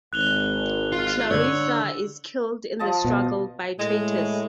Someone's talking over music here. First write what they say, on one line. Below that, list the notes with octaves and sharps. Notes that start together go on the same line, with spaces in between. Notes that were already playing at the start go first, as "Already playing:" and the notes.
Clarissa is killed in the struggle by traitors.
G#1 F#6 F7 G7
F4
D3 C#5 D5 E6
F3 D#5 A5
B2
A2 G#3